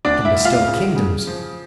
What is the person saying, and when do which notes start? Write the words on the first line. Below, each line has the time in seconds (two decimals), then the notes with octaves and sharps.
I can bestow kingdoms.
0.05 D2 D4 D5
0.25 E4 E5
0.35 D2
0.45 F4 F5
0.66 C#3
0.96 C#3
1.27 F3